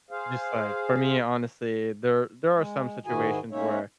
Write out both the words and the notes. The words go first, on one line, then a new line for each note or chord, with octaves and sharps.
Just like, for me, honestly, there there are some situations where
G#4 C5 F5
G#3
G#2 D#3 E4 F#4 G#4 G#5
G#3 A#3 C#4 D#4 C#5 E5